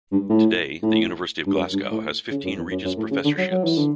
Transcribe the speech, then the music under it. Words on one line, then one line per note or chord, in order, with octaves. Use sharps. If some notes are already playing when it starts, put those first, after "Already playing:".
Today, the University of Glasgow has fifteen Regius Professorships.
G2
A2
A2
G2
F#2
G2
A2
C#3
F#2
E2
F#2
F#2
A2
C#3
D3
F#3
F#3
E3
D3